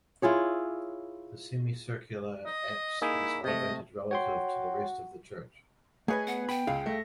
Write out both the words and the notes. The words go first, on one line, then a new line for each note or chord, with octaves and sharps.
The semicircular apse is elevated relative to the rest of the church.
E4 F4 G#4 C#5
D#5
A#3 D#4 E4 G#4
C3 A3 D#5
F#4 C#5 G5 C6
A3 G#4 B4 C#5 D#5 G#6
B3 F#5
G5 B5
C#2 G#4 F5
A3 A#6